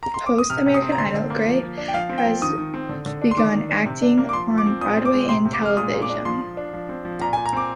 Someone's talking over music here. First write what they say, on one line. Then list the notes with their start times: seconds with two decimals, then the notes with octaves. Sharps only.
Post "American Idol", Gray has begun acting on Broadway and television.
0.03 A#5
0.14 C6
0.26 D6
0.38 D#6
0.50 C3 F6
0.66 C3
0.74 D#6
0.82 C4
0.92 A#5
0.98 D3 C6
1.14 D3
1.30 A#3
1.46 F3
1.62 F3
1.78 D4
1.88 G5
1.94 F3 F5
2.09 C4
2.18 G5
2.25 F3
2.41 D#3 D#6
2.58 D#3
2.74 C4
2.89 D3
3.06 D3
3.22 D4
3.31 C6
3.37 D#3 D6
3.53 D#3
3.70 D4
3.86 C3
4.02 D4
4.18 A#3
4.29 D6
4.33 F3 C6
4.50 F3
4.58 D6
4.66 C4
4.81 A#2 D#6
4.97 C4
5.05 D6
5.13 G#3
5.29 C3 C6
5.45 C3
5.53 D6
5.62 G#3 F6
5.77 A#2 D#6
5.93 A#2
6.02 D6
6.09 D4
6.25 F3 C6
6.41 F3
6.57 D4
6.73 F3
6.89 C4
7.05 F3
7.21 A#2 A#5
7.33 G#5
7.37 A#2
7.46 A#5
7.53 C4 D6